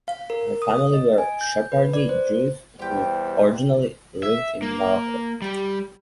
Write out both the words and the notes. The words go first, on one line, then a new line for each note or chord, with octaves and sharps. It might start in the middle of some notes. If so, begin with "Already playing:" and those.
Her family were Sephardi Jews who originally lived in Morocco.
F5
A#4
D#6
D#5
G#5
G6
B4
D5
C5
E2 G3 G4 C5 G5
E5
A#3
G3